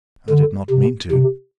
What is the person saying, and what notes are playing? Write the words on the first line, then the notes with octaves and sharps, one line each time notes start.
I did not mean to.
D3
C3
C3